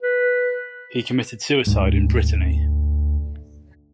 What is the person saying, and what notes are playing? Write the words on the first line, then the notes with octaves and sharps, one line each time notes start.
He committed suicide in Brittany.
B4
D2 G#2